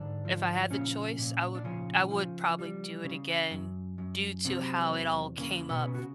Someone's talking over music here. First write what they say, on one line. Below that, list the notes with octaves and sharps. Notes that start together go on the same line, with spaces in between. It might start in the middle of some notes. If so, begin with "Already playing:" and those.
if I had the choice, I would I would probably do it again, due to how it all came up
Already playing: G#2 D3 D4
F3
A#2 C#3 C#4
A#2
D4
C#3 F3 C#4
F3
G3
C#3
F#2
F#2
C3 F#3 C4
E2
C#3 A#3
B2 B3
C#3
F#4